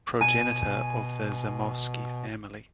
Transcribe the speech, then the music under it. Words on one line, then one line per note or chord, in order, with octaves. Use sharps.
Progenitor of the Zamoyski family.
B2 G#5 D#7